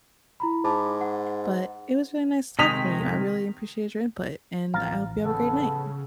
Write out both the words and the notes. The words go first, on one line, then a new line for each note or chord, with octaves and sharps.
But it was really nice talking to you. I really appreciate your input, and I hope you have a great night.
E4 A#5 B5
G#2 A5 B5 D6
F#5
C3 D#3 G#3 D#6 B6 F7
A1 F3 F5 A#5 A6
C#3 B3 A4